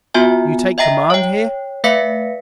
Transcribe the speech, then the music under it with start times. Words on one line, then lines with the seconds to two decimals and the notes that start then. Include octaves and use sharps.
"You take command here?"
0.14 B3 F4 F#4 E5 G#5
0.78 D#5 E5 G5 A#5 A#6
1.10 C#5 G5
1.84 A3 B4 E5 F5 B6 C#7